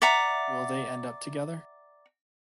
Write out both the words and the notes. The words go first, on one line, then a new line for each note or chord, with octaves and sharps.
Will they end up together?
D5 E5 F#5 A#5